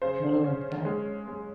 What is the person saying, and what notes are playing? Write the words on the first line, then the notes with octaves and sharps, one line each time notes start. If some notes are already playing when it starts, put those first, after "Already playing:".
Little of that.
C#3 C5
C#4
G#3
G#3